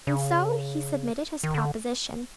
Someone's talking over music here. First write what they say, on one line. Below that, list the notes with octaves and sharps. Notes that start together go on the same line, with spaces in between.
And so he submitted his proposition.
C#3
D#3
D3